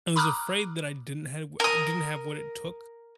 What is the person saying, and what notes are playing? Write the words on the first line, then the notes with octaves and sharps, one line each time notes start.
I was afraid that I didn't have wha didn't have what it took
A#5 B5 D6 D#6 F6 F#6
A#4 D#6